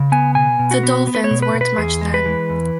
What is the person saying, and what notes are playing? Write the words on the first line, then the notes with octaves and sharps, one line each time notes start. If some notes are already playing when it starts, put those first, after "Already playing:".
The Dolphins weren't much then.
Already playing: C#3
B3 G#5
B2 G#5
B2
F#4
B3
B3
B4
C#5
B2
B4
B2
B4
E2 G#4
G#3
B4
E3
E2